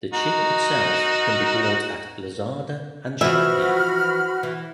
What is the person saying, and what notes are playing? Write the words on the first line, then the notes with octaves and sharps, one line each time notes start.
The chip itself can be bought at Lazada and Shopee.
D#4 F#4 A#4
E3 F3 F#4 E5 B5 F6
E3